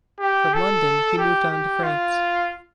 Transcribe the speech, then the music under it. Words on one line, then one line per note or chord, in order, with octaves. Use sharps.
From London he moved on to France.
G4
A4
G4
G4
F4